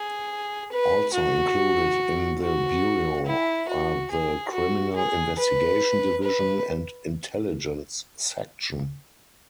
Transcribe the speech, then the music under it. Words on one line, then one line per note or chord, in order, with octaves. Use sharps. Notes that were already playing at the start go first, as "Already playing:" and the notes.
Also included in the bureau are the Criminal Investigation Division and Intelligence Section.
Already playing: G#4
B4
F#4
F#4
E4
F#4
G#4
F#4
G#4
B4
B4